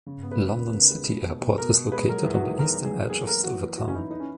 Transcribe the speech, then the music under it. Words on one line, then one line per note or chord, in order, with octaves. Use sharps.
London City Airport is located on the eastern edge of Silvertown.
C#3
B3
B4
B3
D#2
C#3
G#3
B2
B2
B2
B2 A#4
B2
G#3 B4
F#3 A#4
E2
F#4
D#3
E2 A#4
E2
G#4
F#3
A#3 G#4
A#3 A#4
E3 F#4
B4
E3 F#4
C#4
D#4 E4
D#4 B4
C#4